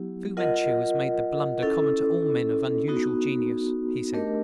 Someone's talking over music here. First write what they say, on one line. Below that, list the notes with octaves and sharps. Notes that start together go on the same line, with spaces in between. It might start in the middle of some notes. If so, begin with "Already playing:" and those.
"Fu-Manchu has made the blunder common to all men of unusual genius," he said.
Already playing: F#3 B3 E4 G4
F4 A#4 D#5 F#5
C#4 E4 A4
B3 D#4 F#4
A3 D4 G4 A#4 D#5